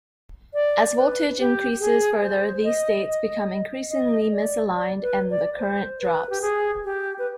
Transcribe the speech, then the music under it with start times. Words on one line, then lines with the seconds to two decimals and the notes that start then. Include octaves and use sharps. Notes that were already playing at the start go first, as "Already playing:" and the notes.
As voltage increases further, these states become increasingly misaligned and the current drops.
0.54 D5
0.96 B4
1.39 G4
1.80 G#4
2.22 C5
2.64 D#5
3.06 D#5
3.90 D#5
4.32 D5
4.74 D5
5.02 B4
5.30 D5
5.58 C5
6.00 B4
6.30 G4
6.42 G#4
6.84 G4
7.19 B4